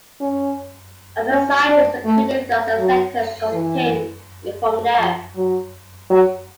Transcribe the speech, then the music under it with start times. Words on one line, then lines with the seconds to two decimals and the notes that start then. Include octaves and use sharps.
Other scientists, including those at Cetus, obtained it from there.
0.21 C#4
1.31 C#4
1.68 D4
2.05 A3
2.79 F#3
3.52 E3
4.99 F3
5.36 F#3
6.10 F#3